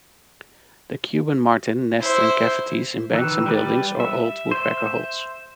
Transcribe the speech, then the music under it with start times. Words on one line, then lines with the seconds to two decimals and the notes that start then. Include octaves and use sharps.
The Cuban martin nests in cavities in banks and buildings, or old woodpecker holes.
2.01 E4 C5
3.13 D#3 E3 B4 E6 F#6
3.46 G3 B4 D5
4.00 E5
4.51 C5 E5